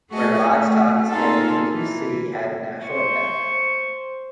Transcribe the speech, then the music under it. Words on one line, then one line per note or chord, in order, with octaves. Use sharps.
Where Aaj Tak is carrying news of the city having national impact.
A3 F#4 G#4 A4 D#5
A3
A#3 C4 D#4 F4 G#4 A4
E3
C5 C#6